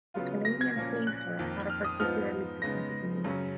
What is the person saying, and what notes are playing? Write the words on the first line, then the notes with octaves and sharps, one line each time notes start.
The Canadian Pacer had a particularly significant impact.
C#3 F#3 B3 F4
A#6
G#6
A#2 F3 A#3 C#4
F#6
F2 D#3 A#3 F4
F6
D#6
G#2 F3 B3 D#4 F6
C#3 G#3 B3 D#4 A#6
F#2 C#3 F#3 C#4